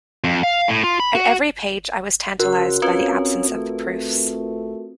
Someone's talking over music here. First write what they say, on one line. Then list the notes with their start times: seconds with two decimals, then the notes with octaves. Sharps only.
At every page I was tantalised by the absence of the proofs.
0.24 F2
0.44 F5
0.68 A2
0.84 F4
1.00 B5
1.15 F#4
2.40 C#3 F#4 A#4 F#6
2.82 C4 C#4 F4 B4
3.49 A3